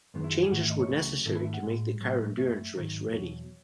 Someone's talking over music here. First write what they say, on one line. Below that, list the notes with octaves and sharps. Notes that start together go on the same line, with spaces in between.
Changes were necessary to make the car endurance race ready.
F#2 D#3 G#3 B3
E4
F#4
G#4
G#2 D#3 A3 F#5
E5
D#5
C#5
C#2 C#3 F#3 A3
G#2 D#3 A3 A4
B4
E5
F#5
A2 G#3
A2 F#3 A3
F#2 D#3 A3 E5
G#2 D#3 F#3
E2 B2 F#3 C#5